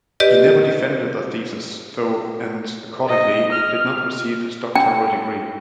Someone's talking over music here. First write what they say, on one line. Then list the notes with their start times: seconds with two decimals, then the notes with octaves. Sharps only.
He never defended the thesis, though, and accordingly, did not receive his doctoral degree.
0.20 G4 B4 D5 D#5
3.07 D#5
3.52 F6
4.76 G5